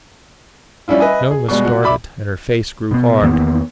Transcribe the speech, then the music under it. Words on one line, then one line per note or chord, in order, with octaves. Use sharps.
Noma started, and her face grew hard.
G3 C#4 D4 E4 F4
B4 D#5 E5 G#5
G#4
B2 G3 G#3
F#4
D5 E5 B5 D6
B2 B3
E2 D#3 A#3 B3